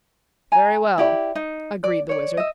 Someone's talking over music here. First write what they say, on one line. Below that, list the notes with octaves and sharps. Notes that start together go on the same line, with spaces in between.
"Very well," agreed the Wizard.
G#5 A#5
E4 G4 D5
D#4
D5
C#5 D5
D#5 E5